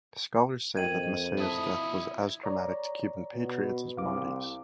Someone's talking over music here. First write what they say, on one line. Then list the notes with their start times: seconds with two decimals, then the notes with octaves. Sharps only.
Scholars say that Maceo's death was as traumatic to Cuban patriots as Marti's.
0.76 F2 A#4 D#5 G5 G#6 D#7 F#7
1.38 E4 D#5 A5 D#6
2.43 C#5 D5 A#5
3.33 B2
3.97 C2 F5 D6